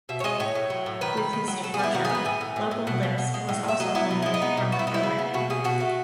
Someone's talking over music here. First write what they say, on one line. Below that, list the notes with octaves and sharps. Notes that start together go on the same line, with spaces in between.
With his departure, "Local Licks" was also removed from the programming.
B2 E5
C#5
G#3 D#5
A2 C#5
A2
F#3
A2
D#3 B4
D#3
D#3
F#3
F#3 A4
G#4
B3 E4
D#3 F#4
G#4
B3
B4
A2 G#5
A2
A2
A2
B2 F#5
B2
B2
G#3
A2
A2 E5
F#3 D#5
B3 E4
B2 D#4
G#3 E4
D#4
B3
B2
B3 F#4
E4
B3 D#4
E4
C#3
B3
B2 F#4
B2 G#4
B2 F#4
A3